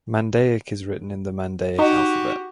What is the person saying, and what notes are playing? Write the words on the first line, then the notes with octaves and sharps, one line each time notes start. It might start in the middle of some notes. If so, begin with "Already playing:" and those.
Mandaic is written in the Mandaic alphabet.
D#4 F#4 G4